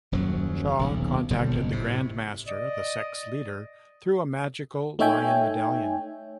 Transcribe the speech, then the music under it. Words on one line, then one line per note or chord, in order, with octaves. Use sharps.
Shaw contacted the Grand Master, the sect's leader, through a magical lion medallion.
D#1 F#2 F3 F#3
D#1 B1
D#1 B2 D3 G3
F#1
A2 C3
D5 D#5
A3 D#4 C#5 E5 G5 G#5